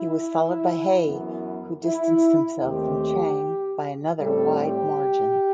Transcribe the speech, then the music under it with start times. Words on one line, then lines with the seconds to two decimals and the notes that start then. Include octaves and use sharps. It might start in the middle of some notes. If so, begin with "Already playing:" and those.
He was followed by Hei who distanced himself from Chang by another wide margin.
Already playing: E4
1.03 F#2 E3 B3
1.83 E4
2.62 D#2 D#3 A3 C4 G4
4.20 A2 G3 C4 A4
4.60 G4